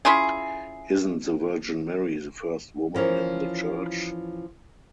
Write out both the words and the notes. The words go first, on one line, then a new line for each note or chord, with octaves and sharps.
Isn’t the Virgin Mary the first woman in the Church?
C#4 E4 F4 G#4
E3 F3 C#4 A#4